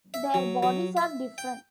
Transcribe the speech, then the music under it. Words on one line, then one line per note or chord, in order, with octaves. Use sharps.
Their bodies are different.
E5
F#3
F#3
E5
G5